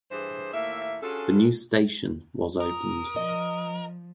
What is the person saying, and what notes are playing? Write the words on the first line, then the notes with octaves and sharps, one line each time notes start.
The new station was opened.
G2 E3 D4 G#4 C5
D#2 A2 A#3 E5
C#4 D4 F4 F#4 G#4 A4
A#4 D#6
F3 D#5